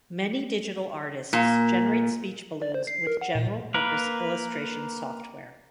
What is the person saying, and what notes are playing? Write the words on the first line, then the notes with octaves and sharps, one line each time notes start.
Many digital artists generate speech balloons with general-purpose illustration software.
A#2
D5
C5
C7
A#4
F#5
A#2
A#3 A#4 B4